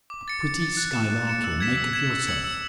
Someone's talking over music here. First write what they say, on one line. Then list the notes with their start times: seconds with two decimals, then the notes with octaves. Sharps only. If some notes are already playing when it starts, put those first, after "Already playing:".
A pretty skylark you'll make of yourself!
0.10 D6
0.28 A6 C#7
0.44 D6
0.61 A6 C#7
0.77 F#6
0.93 C#7 E7
1.10 F#6
1.27 C#7 E7
1.44 E6
1.60 G#6 B6 E7
1.77 E6
1.93 G#6 B6 E7
2.11 E6
2.27 G#6 C#7 F#7
2.44 E6